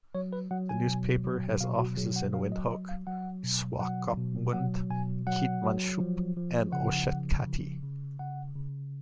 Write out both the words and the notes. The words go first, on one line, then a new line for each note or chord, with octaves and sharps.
The newspaper has offices in Windhoek, Swakopmund, Keetmanshoop and Oshakati.
F#3 C#5
B4
F#3 F#5
G#5
B2
F#3
B2 F5
F#4
F#3 G#4
F#5
F#3 F5
D#5
F#3 D#5
F5
F#3 F#5
B2
F#3 F#5
B2
F#3 F#5
B2 G#5
F#3 F#5
F#3
F3
F3
C#3 F#5
F3
C#3
C#3
C#3 F#5
C#3